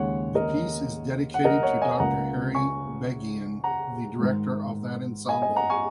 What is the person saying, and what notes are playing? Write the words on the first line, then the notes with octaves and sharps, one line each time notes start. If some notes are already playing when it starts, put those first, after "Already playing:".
The piece is dedicated to Doctor Harry Begian, the director of that ensemble.
Already playing: D#2 C#3 G#3 C#5 F#5
A#4 D#5
F#5
A#4 D#5
C#5 F#5
D#5 G#5
C#2 C#3 A#3 F#5 A#5
G#5 C#6
F#5 A#5
G#2 D#3 G#3
D#5 G#5
D#5 G#5
F#5 A#5
G#5 C#6